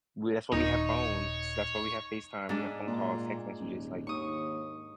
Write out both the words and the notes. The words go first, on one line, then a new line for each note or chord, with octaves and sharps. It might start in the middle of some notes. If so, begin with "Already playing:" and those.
we that's why we have phones, that's why we have FaceTime, we have phone calls, text messages, like,
D#1 D#4 C#5
G#2 D4 G#4
A#2
D#1
D#2 C#6 D#6